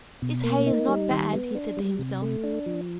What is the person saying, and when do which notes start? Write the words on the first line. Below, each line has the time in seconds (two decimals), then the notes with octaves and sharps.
"This hay is not bad," he said to himself.
0.22 B2
0.44 A#3
0.67 D#4
0.89 G3
1.10 D#3
1.33 B3
1.55 D4
1.77 G3
1.99 C3
2.22 A3
2.44 D4
2.66 F3